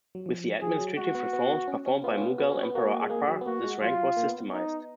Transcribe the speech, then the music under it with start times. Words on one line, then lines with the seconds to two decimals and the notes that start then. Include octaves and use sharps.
With the administrative reforms performed by Mughal emperor Akbar, this rank was systemised.
0.15 F#3
0.26 F3
0.62 F3 G#4
0.79 F#3
0.97 G#3 F#4
1.15 B3
1.33 B3
1.68 C#4
1.86 C#4
2.03 B3 F4
2.18 C#4
2.21 B3
2.40 B3 F#4
2.52 C#4
2.63 B3
2.75 A#3 F#4
3.02 G#3
3.10 A#3 G#4
3.27 F#3
3.41 B3
3.46 A#3 F#4
3.64 G#3
3.81 F#3 F4
4.17 A#3
4.29 B3
4.40 B3
4.52 D#4